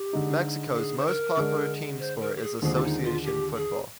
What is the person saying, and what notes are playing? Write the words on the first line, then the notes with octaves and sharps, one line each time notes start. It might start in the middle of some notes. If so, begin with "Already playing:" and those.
Mexico's most popular team sport is association football.
Already playing: G4
D3 G#3 D#4
G#4
C5
A#4
D3 G#3 D4
C5
A#4
G4
G#4
A#4
D#2 D3 F3 G#3 G#4
F4
D#4
F4
G4
G#4